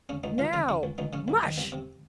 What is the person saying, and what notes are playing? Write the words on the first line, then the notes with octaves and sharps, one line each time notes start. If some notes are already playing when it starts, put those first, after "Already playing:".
"Now, MUSH!"
C#3 C#4
C#2 D#4
C#2 F4
C#3 A#4
C#3 F#4
C#2
C#2 D#4
C#3 C#4
C2
D#3
C2
C3